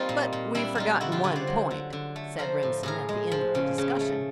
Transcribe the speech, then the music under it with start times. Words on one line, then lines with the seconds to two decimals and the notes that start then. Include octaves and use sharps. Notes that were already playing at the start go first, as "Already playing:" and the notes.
"But we've forgotten one point," said Remsen at the end of the discussion.
Already playing: G3 A#3 C4 D#4 F4
0.09 A#2
0.33 A#2
0.55 G3 D4 E4
0.75 G3 D#4 F4
1.01 D3 E4 F#4
1.12 F4 G4
1.24 D3 B4 C#5
1.36 C5 D5
1.47 F#3
1.71 D3
1.93 D3
2.16 A3
2.39 F3 A#4 C5
2.63 A2
2.83 A2 G#4 A#4
3.09 G#3
3.32 F3
3.55 C#3
3.78 C#3
4.01 A3